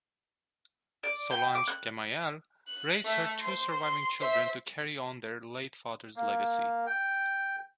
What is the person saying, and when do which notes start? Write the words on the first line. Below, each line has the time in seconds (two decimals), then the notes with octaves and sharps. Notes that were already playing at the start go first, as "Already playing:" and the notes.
Solange Gemayel raised her two surviving children to carry on their late father's legacy.
1.03 D5
1.31 G5
1.55 D6
1.68 F#6
2.68 F#6
3.05 A3 E5
3.41 C5 C6
3.80 C6
4.20 C5 E5
6.16 A#3
6.87 G5